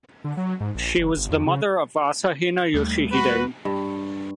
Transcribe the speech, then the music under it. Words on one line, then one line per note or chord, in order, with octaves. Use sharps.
She was the mother of Asahina Yoshihide.
D3
F#3
G#2
A#1
F#1
G1
F2
C#3
D#2 G3 A3
F#4 B4
G2